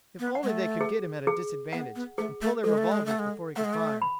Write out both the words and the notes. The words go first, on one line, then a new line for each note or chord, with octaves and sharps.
If only they could get him at a disadvantage, and pull their revolvers before he could fire.
B3
F#5
G#3
A3
G#4
G#4
B3 F#5
B3
A3 G#4
A3
G#3 A4
A3
G#3
A3 F#5
G#3
A3 F#5
G#3
A3
B5